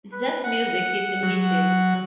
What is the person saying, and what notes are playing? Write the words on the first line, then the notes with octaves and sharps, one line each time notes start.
"It's just music," he simply states.
B4
F#5
F#3